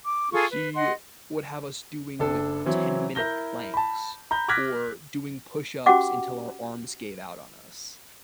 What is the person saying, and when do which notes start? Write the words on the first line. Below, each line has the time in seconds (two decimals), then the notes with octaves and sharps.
She would have us doing ten-minute planks or doing push-ups until our arms gave out on us,
0.05 D6
0.32 F4 G#4 A4 C#6
0.50 B4
0.74 D#5 F#5 C6
2.19 F#1 D4 A4
2.66 E3 F#3 C4
3.15 E4 A#4 G6 A#6 G7
3.74 A5 B5
4.31 A#5 B5 G6
4.48 D6 F6 F#6 G#6 A#6 B6
5.86 C#4 F#4 G4 F#5 D6